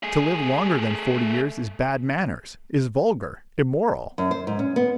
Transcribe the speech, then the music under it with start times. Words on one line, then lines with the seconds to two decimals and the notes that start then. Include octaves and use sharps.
To live longer than forty years is bad manners, is vulgar, immoral.
0.03 A3 G#4
4.18 F#2
4.31 C5
4.47 G#2
4.59 C#4
4.76 B3